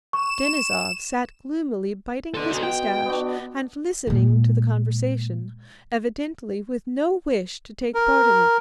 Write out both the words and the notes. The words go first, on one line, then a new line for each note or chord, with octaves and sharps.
Denisov sat gloomily biting his mustache and listening to the conversation, evidently with no wish to take part in it.
C#6 E7
B2 A4 D5 C6
F#4 A4
G5
B3 D4 F#4
A#2 G#3
A#4